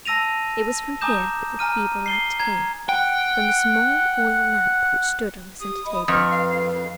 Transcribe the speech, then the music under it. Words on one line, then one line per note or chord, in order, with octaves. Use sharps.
It was from here that the feeble light came--from a small oil lamp which stood on the centre table.
A5 E6 A#6 D#7 F7
G#5 A#5 D6 D#6 G6 E7
G#5 A#5 F6 D#7
C7 G7
A#5 G#6
F#5 G5
G4 D#6
D#5 B5
F2 B4 C#6 D#6 F6
F5